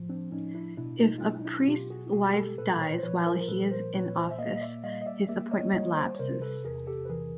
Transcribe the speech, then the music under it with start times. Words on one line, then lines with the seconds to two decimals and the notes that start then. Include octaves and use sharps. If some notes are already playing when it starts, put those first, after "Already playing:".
If a priests wife dies while he is in office, his appointment lapses.
Already playing: A2 F3
0.09 C4 D4
0.32 A2 C#4 D#4
0.55 D4 E4
0.77 B2 D4 E4
1.00 D#4 F4
1.18 F4
1.22 F#3 D4 E4
1.40 D#4
1.45 D4 E4
1.68 B2 F4 G4
1.90 F#4 G#4
2.13 B2 F#4 G#4
2.35 G4 A4
2.58 A#2 A4 B4
2.81 B4 C#5
2.97 C5
3.03 F3 B4 C#5
3.26 A#4 C5
3.41 A#4
3.48 A#2 A4 B4
3.71 A#4 C5
3.93 A#2 B4 C#5
4.16 C5 D5
4.31 E5
4.39 A#3 D#5 F5
4.57 D#5
4.61 D5 E5
4.84 G3 D#5 F5
5.01 D#5
5.06 D5 E5
5.29 A#3 D5 E5
5.52 C#5 D#5
5.74 G3 C#5 D#5
5.97 C5 D5
6.15 C#5
6.19 C3 A#4 C5
6.42 A4 B4
6.64 E2 G#4 A#4
6.87 G4 A4
7.05 B4
7.09 E3 G#4 A#4